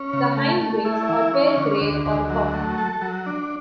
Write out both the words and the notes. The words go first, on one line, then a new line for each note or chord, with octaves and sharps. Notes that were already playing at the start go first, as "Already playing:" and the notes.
The hindwings are pale grey or buff.
Already playing: C#4
C#3
A3
A3
E4
E3
C#4
D3
D2
D2
F#3
A3
A4
F#3
D4